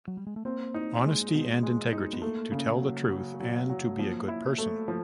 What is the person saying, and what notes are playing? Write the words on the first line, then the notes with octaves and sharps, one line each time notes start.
Honesty and Integrity: To tell the truth and be a good person.
F#3
G3
G#3
A3
A#3 C4
D#4
G#3
B2
G#3
D#4
B3
A3 A#3
C#3
F#3
F#3
F#3
F#3
A3
F3 A#3
E4
A3
F3